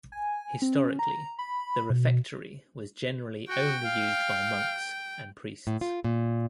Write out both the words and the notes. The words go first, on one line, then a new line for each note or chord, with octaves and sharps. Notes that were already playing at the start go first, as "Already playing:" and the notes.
Historically, the refectory was generally only used by monks and priests.
G#5
C4
C#4
A#5
B5
B2
F#4 G5
F5
A2
F4
A#2